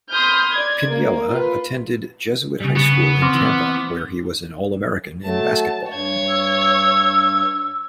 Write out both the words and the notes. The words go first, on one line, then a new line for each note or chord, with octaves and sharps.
Piniella attended Jesuit High School in Tampa, where he was an All-American in basketball.
B5 C6 D#6 F6 G6
D5 G#6
A#3
F4 B4
C#3 G3
C#3 B3
C4 C6 D6
E3
F#3 A3 A5
G2 C#5 G#6
E6